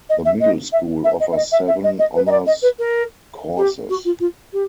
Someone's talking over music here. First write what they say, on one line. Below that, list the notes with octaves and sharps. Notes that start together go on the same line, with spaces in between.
The middle school offers seven honors courses.
D#5
E5
D#5
E5
E5
D#5
E5
D#5
E5
E5
D#5
D#5
B4
D#5
D5
D#5
B4
A#4
G4
F#4
F4
F4
G4